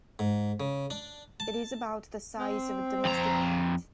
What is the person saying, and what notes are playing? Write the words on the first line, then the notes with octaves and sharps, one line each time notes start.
It is about the size of a domestic cat.
G#2
C#3
D4
A5
C4
F2 A#5